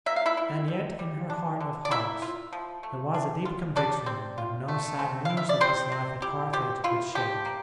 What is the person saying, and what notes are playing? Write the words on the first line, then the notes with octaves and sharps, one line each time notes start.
And yet in her heart of hearts there was a deep conviction that no sad news of his life at Carthage could shake.
A#3 E5
F5
E4 E5
E4
G3
G3
D4
D3
D5
A#3 E4 E5
F4
F3
A3
D4
F4
G3 D4 D5
C4
F4
A3
C4
E4 F5
E5
D5
G3 C4 C5
C4
E4 G4
C4 G4
E4 F4
F3 G4
A#3